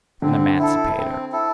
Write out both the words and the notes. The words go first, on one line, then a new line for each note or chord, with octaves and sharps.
An emancipator?
D3 C4
E4 A4
C4
E4 A4